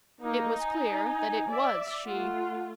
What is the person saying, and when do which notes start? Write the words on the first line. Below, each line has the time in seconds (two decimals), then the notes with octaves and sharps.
It was clear that it was she.
0.21 A#3 D#4
0.62 G#5
1.50 D5 E5
2.07 A3 F4 F#5